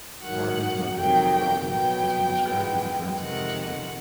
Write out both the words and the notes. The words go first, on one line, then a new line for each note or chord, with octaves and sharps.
Harman's mother, Robin, has been described as a forensics buff.
G#2 D#3 F#3 F#5
F2 C3 D#3 F#3 A#3 G5
G5
B2 F#3 B3 G5
G#2 E3 G#3 B3
F2 C3 D#3 G#3 F#5